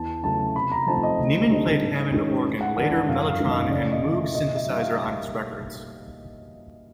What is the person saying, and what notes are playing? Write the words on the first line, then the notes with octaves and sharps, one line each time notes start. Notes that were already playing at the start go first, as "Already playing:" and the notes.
Niemen played Hammond organ, later mellotron and Moog synthesizer on his records.
Already playing: E2 A5
C#3 F#3 A3 C#4 A5
C3 B5
A#5
F3 A3 C4 D#4 A5
D#5
D2
D3 G3 C4 D#4
G#2
D#3 G#3 C#4
A2
F#5
E3 G#3 B3 D4 F#5
F#5
F#2 F5
F5
D#3 G#3 C#4
D#5
C#3 D5
D#5
E3 A3
E5
B2 D#5
E5
G3 A#3 D#4
F5